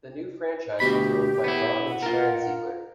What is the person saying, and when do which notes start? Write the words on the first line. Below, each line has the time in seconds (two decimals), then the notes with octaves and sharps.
The new franchise was owned by Don and Sharon Ziegler.
0.80 D2 B2 G4 B5
1.44 B3 E4
1.88 F#5
2.03 F4 A#4